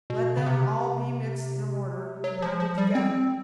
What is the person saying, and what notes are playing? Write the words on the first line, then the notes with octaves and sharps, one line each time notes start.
Let them all be mixed in a mortar, and pounded together.
B2
C#3
C3
F#3
F3
F3
G3
C4